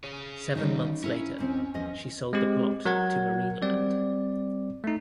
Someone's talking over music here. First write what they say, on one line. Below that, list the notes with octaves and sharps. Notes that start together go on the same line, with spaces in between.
Seven months later, she sold the plot to Marineland.
G#4 C#5
D#3 G3 C#4 D#4 F#4
C#4 E4 A#4 F5
D#2 C4
E2 F3 D#5
G#3 C4 G4
F#3 A#4 F#5 G#6
G3 C4 D5
A3 D#4